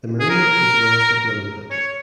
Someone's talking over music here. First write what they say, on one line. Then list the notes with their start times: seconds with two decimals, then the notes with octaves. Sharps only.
The marina is west of Lilliput.
0.20 G#4
0.30 A#4
1.71 C#5